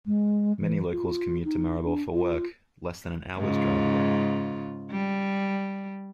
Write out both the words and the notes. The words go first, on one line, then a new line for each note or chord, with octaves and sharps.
Many locals commute to Maribor for work, less than an hour's drive away.
G#3
E3
F4
D#4
D4
F4
G#2 C#3 F4
G3